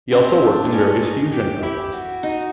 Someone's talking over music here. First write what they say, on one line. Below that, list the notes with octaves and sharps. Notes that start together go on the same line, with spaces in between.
He also worked in various fusion albums.
C4 C#4
D4
C#4
D#4
G4
E4 G4
F#4
D#4